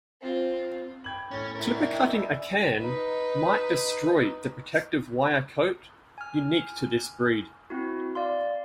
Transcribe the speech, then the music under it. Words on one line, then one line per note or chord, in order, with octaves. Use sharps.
Clipper-cutting a Cairn might destroy the protective wire coat unique to this breed.
C4 F4
G5 B5 G#6 F#7
A2 C#4 A6 G7
E4 A#4
D5 E5
D#5 G5
G#5 B5 E6
D#4 B4
G#5 F6
C4 E4 F#4
D5 F5 C6